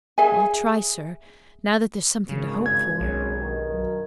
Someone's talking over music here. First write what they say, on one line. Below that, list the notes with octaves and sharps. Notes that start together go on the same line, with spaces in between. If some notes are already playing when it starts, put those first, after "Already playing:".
"I'll try, sir, now that there's something to hope for."
G#4 E5 G#5
G#1 C#3
G#6
B1 C#4 G#4
G2 D#3
F#3